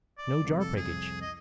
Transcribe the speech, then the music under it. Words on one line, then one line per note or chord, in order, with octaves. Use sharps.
No jar breakage.
D5
C2 F2
A4
G#4
D#5